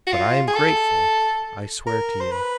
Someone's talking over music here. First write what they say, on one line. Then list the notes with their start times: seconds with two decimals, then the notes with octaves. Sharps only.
"But I am grateful, I swear to you."
0.07 F#4
0.12 F4
0.48 G#4
0.56 A4
1.87 A#4
2.21 C5
2.31 B4